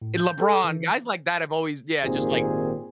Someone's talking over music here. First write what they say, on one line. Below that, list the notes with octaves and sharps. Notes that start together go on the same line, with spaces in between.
LeBron, guys like that have always yeah, just like,
A2
G6
A4
E3
G#1 A#2 D#3 C4 G4 G#4